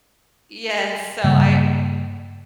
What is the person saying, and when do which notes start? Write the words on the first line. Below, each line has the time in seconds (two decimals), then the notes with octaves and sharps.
Yes, so I
1.24 G2 C#3 G3 A#3